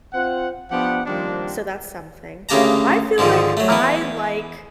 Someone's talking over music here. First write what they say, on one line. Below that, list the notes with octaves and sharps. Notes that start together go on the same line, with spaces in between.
So that's something. I feel like I like
C4 F4 C5 F#5
F3 B3 D4 G4 F#5
D#3 F3 G3 A#3 C4 D4
D2 C#3 A#3 G4 A5 A#5
G#2 D3 D#3 F3
F#3 A3
E3 B3